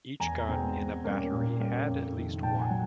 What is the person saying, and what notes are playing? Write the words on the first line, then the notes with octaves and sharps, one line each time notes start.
Each gun in a battery had at least one.
E2 G#5 A#5
B2 G#3 C4
B2
G3 A#3 C#4
A#2
G3 A#3 C#4
F2
C3 D#3
A#2 G5 A5
F#5 G#5
F#3